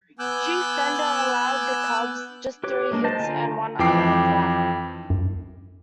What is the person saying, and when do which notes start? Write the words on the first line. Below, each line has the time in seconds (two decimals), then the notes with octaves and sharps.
Chief Bender allowed the Cubs just three hits and one unearned run.
0.19 B3 G#5 D6 E6 F#6 G6
2.64 G4 B4 C#5 D6
2.91 F#3 G#3 A#3 D4
3.04 C5 D#5 A5
3.19 D3 F4 G#5 A#5
3.79 F2 E3 G5 D6 C7
5.10 F#2